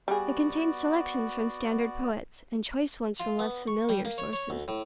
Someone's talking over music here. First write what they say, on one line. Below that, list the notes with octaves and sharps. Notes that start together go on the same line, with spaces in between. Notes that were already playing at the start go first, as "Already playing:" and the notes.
It contained selections from standard poets, and choice ones from less familiar sources.
G3 B3 F#4 G#4 D5
F4
B3
C#6
G3
A#3
C#5
C#5
D2
A2